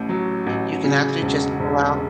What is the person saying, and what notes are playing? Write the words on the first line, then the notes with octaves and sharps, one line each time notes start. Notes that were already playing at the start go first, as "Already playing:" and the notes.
you can actually just pull out
Already playing: A1 A2
F#3
A1
C#3
E1
E1